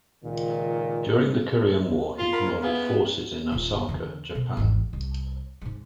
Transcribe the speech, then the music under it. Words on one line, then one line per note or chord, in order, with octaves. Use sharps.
During the Korean War he commanded forces in Osaka, Japan.
C#2 A#2 D#3
F4
A#4 B5 C6
C#4 A#4
B3 E4 G#4 F5
D#1 F4
E2 D3
B2
G#1 E2
C2
G#2 G#3